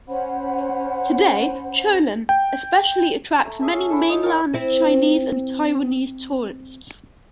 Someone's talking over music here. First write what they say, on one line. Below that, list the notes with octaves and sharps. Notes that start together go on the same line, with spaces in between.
Today, Cholon especially attracts many Mainland Chinese and Taiwanese tourists.
C#4 C5 F#5 B5
G5
A3 A#5
G#4 E5 A5
C#4
E4 A4
D#4 G#5
A#4 C#5 G5 C#6
C4 E4